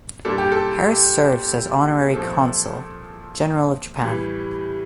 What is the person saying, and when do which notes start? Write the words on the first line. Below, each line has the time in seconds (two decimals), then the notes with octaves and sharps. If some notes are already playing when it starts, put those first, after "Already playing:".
Harris serves as Honorary Consul General of Japan.
0.25 A#2 G3 D4 A4
0.38 G4
0.52 A4
2.14 A#2 F3 A3 C4 A4
4.02 A2 E3 G3